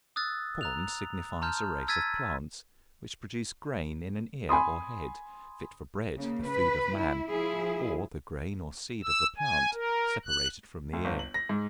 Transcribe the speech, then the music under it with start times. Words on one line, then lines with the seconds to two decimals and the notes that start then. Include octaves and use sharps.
Corn signifies a race of plants which produce grain in an ear or head, fit for bread, the food of man; or the grain or seed of the plant, separated from the ear.
0.16 D#6 E6 F#6 A6
0.61 A#5 F#6 F7
1.42 A5 A#5 C6 F6 G6
1.88 E6 G#6 A6 B6 D#7
4.49 G#5 B5 C6 D#6
6.16 C#3 A#3
6.48 B4
6.99 E4
7.31 F3 E4 G#4
9.04 E6
9.38 G#5
9.73 A#4
10.25 F#6
10.93 D2
11.05 G1
11.19 F#7
11.34 A#6
11.49 G#2